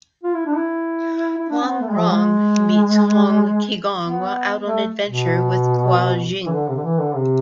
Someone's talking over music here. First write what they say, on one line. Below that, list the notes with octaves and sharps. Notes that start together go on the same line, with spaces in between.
Huang Rong meets Hong Qigong while out on adventure with Guo Jing.
F4
E4
D4
E4
E4
D4
B3
A3
G#3
F3
G#3
B3
A3
B2
E3
D3
C3
D3
E3
D3
C3